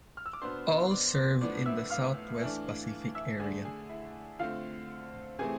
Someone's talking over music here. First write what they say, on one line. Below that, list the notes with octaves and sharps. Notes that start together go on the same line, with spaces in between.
All served in the Southwest Pacific Area.
F6
E6
D6
B2 B3 D4 C5 C6
C6
D5 D6
A2 F3 B3 D4 D5 D6
E5 E6
F5 F6
E3 A3 D4
E5 E6
D3 A3 D4 G#4 G#5
G#4 G#5
E4 E5
D3 A3 C4 F4 F5
C3 E3 A3 C4 G#4 G#5